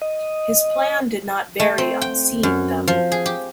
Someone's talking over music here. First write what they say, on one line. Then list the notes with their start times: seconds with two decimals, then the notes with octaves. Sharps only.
His plan did not vary on seeing them.
0.01 D#5
1.60 A3
1.78 C4
2.02 G5
2.43 F#2
2.88 F3
3.12 G#4
3.26 G4